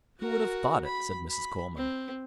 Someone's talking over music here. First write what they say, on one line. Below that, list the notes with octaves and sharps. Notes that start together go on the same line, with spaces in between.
"Who would have thought it?" said Mrs. Coleman.
F#4 A#4
B5
B5
C4